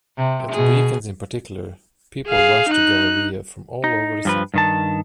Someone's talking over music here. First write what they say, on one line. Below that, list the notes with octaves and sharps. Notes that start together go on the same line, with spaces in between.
At weekends in particular, people rushed to Galleria from all over the city.
C3
B2 G#4
G#4 F5
D#4 F#6
D#4
G2 F3 B4
G2 D#3 A5